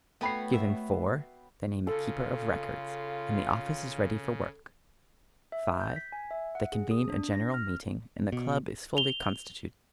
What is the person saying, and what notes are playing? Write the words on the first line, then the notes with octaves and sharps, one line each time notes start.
Given four, they name a keeper of records, and the office is ready for work; five, they convene a general meeting, and the club is fully constituted.
A3 B3 F#4 C#5 G5 B5 C7
E5
C#3 F4 A4
E5
G6
B6
G#5
E5
F#5
G#4
D#6
D4
A#6
F6
B2
F7 G7